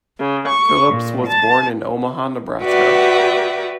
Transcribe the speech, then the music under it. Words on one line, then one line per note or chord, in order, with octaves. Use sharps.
Phillips was born in Omaha, Nebraska.
C#3
C#6
A#2
A5
F#4 G4 B4 D5 E5 F#5